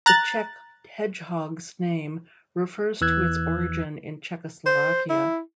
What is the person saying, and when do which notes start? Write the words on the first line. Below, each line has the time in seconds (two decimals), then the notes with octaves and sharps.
The Czech hedgehog's name refers to its origin in Czechoslovakia.
0.06 A#5 F#6 A6
3.01 E2 E3 E6 F#6 G#6
4.66 C5
5.09 E4